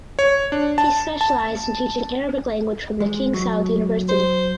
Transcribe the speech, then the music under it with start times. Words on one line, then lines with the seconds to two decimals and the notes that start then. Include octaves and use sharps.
He specialized in teaching Arabic language from the King Saud University.
0.19 C#5
0.52 D4
0.78 A5
1.21 A5
3.00 G#3
3.34 F#3
4.09 C5